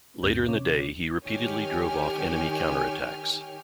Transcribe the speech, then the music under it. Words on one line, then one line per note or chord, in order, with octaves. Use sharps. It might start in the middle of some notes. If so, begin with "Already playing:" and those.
Later in the day he repeatedly drove off enemy counter-attacks.
D2 G2 A3 C4 G6
C3 C#4 C#5 D6
D#3 G4 C#5 G5 G#5 F6